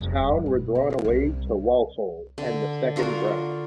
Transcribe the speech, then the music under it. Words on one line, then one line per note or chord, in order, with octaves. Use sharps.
Town were drawn away to Walsall in the Second round.
F1
G2
B2
B3
D4
C2
D3
D4 F4 F#4 A#4